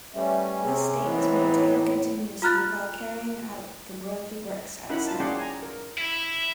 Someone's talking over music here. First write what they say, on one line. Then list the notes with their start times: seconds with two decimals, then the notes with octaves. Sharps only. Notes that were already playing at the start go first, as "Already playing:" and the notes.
This state is maintained continuously while carrying out the worldly works outside.
0.14 G3 A3 C#4 B4 E5
0.63 C3 G#4
1.03 E3 B3 C4 D#4 C#5
1.36 A2
2.42 F4 A#5 F6 F#6 A6
4.89 C#4 D#4 E4 A#4 F#5 B5
5.07 F4 A5
5.20 C#4 G#4 D5 F#5 G5 C6
5.39 G#5 A#5
5.62 A#4
5.98 E4